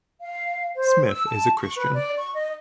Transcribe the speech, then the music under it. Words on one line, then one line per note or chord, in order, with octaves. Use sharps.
Smith is a Christian.
F5
C5
E6
A5
C#6
B4
D5
C#6
D#5